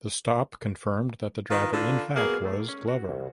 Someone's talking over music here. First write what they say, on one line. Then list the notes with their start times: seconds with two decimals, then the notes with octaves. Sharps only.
The stop confirmed that the driver in fact was Glover.
1.50 D#3 F4 B4
1.72 D3 F4
2.16 F#3 A#3 B3 G#4
2.45 A3
2.69 C#4
2.88 F#4
3.09 C2